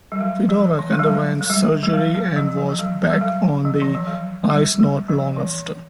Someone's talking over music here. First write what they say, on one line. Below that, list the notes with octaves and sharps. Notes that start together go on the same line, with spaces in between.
Fedoruk underwent surgery and was back on the ice not long after.
G3
F#3
F3
E3
G#3
G3
F#3
G#3
G3
G3
F#3
F#3
F3
F3
F3
F#3
G3
F#3
F3
E3
F3
F#3
G3
G3
F3
E3